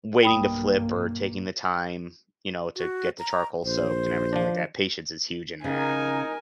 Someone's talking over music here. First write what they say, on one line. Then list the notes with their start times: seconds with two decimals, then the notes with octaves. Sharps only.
waiting to flip or taking the time, you know, to get the charcoal soaked and everything like that. Patience is huge in that.
0.23 B1 G2 A#3 G5 B5 D#6
2.76 F#4
3.19 A#5
3.64 A#1 C5
4.33 F3 D4
5.64 C#3 D#4 A#4 G#5